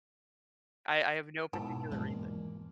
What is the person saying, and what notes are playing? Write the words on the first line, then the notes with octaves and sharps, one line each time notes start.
I I have no particular reason.
G#2 B2 E4 A5
E2 G#3 A#3